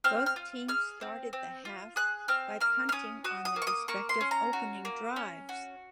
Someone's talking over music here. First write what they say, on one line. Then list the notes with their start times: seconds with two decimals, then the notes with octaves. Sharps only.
Both teams started the half by punting on their respective opening drives.
0.04 C4 F6
0.26 F6
0.36 F4
0.68 G#4 F6
1.01 C4
1.33 C4
1.65 F4
1.96 G#4 F#6
2.28 C4 F6
2.60 A#3 F6
2.89 F6
2.92 C#4 D#6
3.24 F#4 D#6
3.45 D#6
3.56 A#3
3.62 C#6
3.67 D#6
3.88 A#3 C#6
4.09 C6
4.21 C#4
4.31 A#5
4.53 F#4
4.85 A#3
5.16 C#4
5.49 F#4